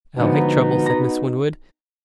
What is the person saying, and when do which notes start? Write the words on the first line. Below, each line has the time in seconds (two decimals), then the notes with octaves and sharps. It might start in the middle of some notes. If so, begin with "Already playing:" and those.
"I like trouble," said Miss Winwood.
0.18 G#2 D3 F3 B3 D#4 F#4
0.86 A#5